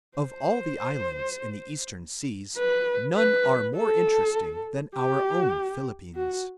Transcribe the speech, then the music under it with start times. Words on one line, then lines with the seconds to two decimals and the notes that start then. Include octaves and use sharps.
Of all the islands in the eastern seas, none are more interesting than our own Philippines.
0.18 C5
2.57 B4
3.17 B4
3.76 A4
4.96 G4
6.15 F#4